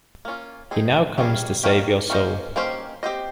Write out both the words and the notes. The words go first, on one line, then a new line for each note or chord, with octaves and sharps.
He now comes to save your soul.
A#3 C#4 F4
C4 D#4 G#4
G3 A#3 C#4 F4 G#4
D#3 A#3 C#4 G4
A#3 C#4 F4 C5 D#5
D#3 A#3 C#4 G4 C5
C4 G4 C5 D#5